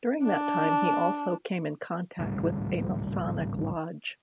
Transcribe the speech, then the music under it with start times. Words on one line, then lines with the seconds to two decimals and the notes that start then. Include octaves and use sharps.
During that time he also came in contact with a Masonic lodge.
0.23 D4
2.19 G#1 C#2 A2 G3